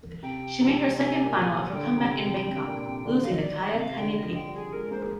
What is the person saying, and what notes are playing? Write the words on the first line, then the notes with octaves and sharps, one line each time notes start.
She made her second final of her comeback in Bangkok, losing to Kaia Kanepi.
C3 G5
C3
C3 G#5
A#2
D3 G5
C3
C3
C3
A#2
C3
D3
D#3 F5
D#5
D5
D#5
C3
F5
D3 G5
D#5
F3
G5
G3
G#4
G#3 A#4
G#3
A#3 C5
G#4